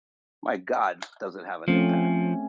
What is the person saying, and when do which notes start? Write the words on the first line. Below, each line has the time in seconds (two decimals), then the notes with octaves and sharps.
my god, does it have an impact.
1.68 F3 A3 C4 C#4